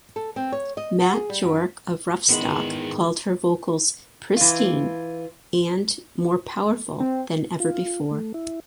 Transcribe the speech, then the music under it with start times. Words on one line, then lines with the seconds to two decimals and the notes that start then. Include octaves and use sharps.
Matt Bjorke of "Roughstock" called her vocals "pristine" and "more powerful" than ever before.
0.16 A4
0.36 C4
0.52 C#5
0.77 D#5
1.01 F#5
1.13 G#4
1.29 G3
1.42 F#2
2.29 E2 G#2 D#3 G#3 B3 B5
4.37 E3 F4
7.00 C4
7.60 F4
8.11 A3
8.34 E4